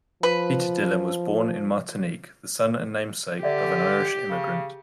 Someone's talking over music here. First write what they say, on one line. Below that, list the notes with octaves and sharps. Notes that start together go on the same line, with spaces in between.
Peter Dillon was born in Martinique, the son and namesake of an Irish immigrant.
F3 B4
D3 G4 D5 E5
C#3